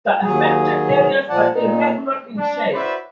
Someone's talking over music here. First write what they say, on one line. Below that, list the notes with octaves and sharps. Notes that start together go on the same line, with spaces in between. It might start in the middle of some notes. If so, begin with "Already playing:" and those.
The affected areas are irregular in shape.
D#2 F#3 G#4
A#2 F3 D5 F#5 A5
A#2 D#4
D4
E4 F#4 B4 C5 D5 E5